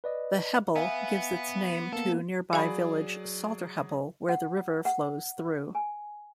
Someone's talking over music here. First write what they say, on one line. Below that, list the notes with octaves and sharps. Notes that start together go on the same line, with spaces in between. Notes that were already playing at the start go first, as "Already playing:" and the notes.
The Hebble gives its name to nearby village Salterhebble, where the river flows through.
B4 D5 D#5
B3 E5 F5 G#5
A#3 B3 A4
F#3 G#4 D5 F5 G#5 B5
F#5
F#5
G#5